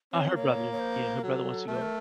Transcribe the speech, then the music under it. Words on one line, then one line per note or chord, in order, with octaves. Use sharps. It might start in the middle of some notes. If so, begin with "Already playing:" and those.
Ah, her brother. Yeah, her brother wants to go.
C4 C#5
A#3 C#5
C#5
C5
F#3 A4
A3 A#4
C5
A#4